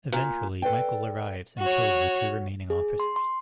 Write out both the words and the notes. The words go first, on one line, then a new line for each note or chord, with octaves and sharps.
Eventually, Michael arrives and kills the two remaining officers.
A#2
A4 B4 D5 G5
F#4 C#5
G#4
C6
C6